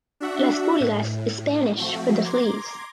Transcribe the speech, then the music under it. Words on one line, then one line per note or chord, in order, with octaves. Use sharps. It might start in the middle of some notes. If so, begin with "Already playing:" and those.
Las Pulgas is Spanish for "The Fleas".
D4 F#4 E5 F#5
A2
F3 A3 C4 F#4
A#5 C6 D6 G#6